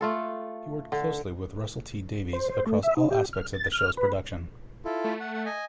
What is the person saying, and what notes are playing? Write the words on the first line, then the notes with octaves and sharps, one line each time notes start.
He worked closely with Russell T Davies across all aspects of the show's production.
A3 F4 A4
D3
C5
C5
A3
E5
D#4
G4
F6
A6
F6
B4
E4 F4 A4
A3
F#5
F#5
D#5 G#5